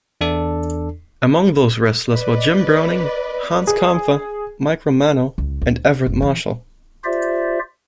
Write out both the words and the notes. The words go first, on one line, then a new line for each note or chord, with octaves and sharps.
Among those wrestlers were Jim Browning, Hans Kampfer, Mike Romano and Everette Marshall.
E2 D4 A4 D5
B4 D5 D#5
G#4
C#2
D2
F#1
E3
F4 G4 C5 D5 E5